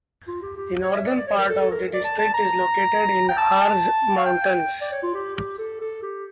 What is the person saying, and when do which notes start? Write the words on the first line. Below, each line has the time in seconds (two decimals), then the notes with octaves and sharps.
The northern part of the district is located in the Harz mountains.
0.28 F4
0.42 G4
0.57 G4
0.83 C#5
0.94 E5
1.05 D5
1.16 D5
1.27 C#5
1.38 A#4
1.49 A4
1.60 A4
1.72 A#4
1.93 D5
2.05 A5
2.19 A5
2.34 A#5
3.29 G5
3.38 A5
4.17 F5
4.26 G5
4.81 D5
4.92 C#5
5.03 F4
5.14 G4
5.36 G4
5.58 A4
5.81 A4
6.02 G4